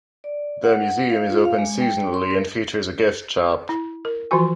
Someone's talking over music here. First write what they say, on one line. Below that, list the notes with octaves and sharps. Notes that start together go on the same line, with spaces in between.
The museum is open seasonally and features a gift shop.
D5
F#5
F5
F4
F5
G#3
G5
C6
A#4
E4
A#4
E3 F3 F4 F#4 G#5